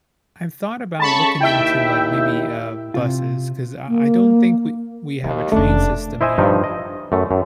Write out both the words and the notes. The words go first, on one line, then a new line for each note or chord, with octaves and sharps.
I've thought about looking into, like, maybe, uh, buses 'cause I I don't think we we have a train system here
C#3 G#3 A4 A5 B5 C#6
D#2 E4 E5 G5
C3 F4
A#3
D#2 E3 F#3
F1 A3 C#4 D4
E4 C5 D#5 E5 G#5
G2 F3 D#4
D#5
F#2 A3
F#2